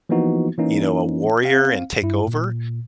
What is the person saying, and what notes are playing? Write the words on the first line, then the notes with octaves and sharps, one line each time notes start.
you know, a warrior and take over,
E3 F3 A#3 B3 D#4 F#4
E3 A#3 C#4 D#4
C4 F5
G2 E4
A#2